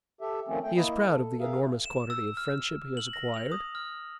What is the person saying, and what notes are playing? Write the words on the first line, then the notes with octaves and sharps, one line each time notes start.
He is proud of the enormous quantity of friendship he has acquired.
G4 A4 E5
D#3 F3 A3 C4 C#4
A3 G5
A#3 E4 D#5
A4
G#4 A#4 E5 F5
E7
E6
F6
F#7
A#6
F7
D#6
F6